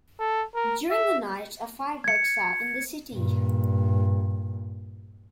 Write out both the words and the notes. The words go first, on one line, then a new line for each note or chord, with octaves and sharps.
During the night, a fire breaks out in the city.
A4
A#4
E5
G#6 C#7
G2 A#2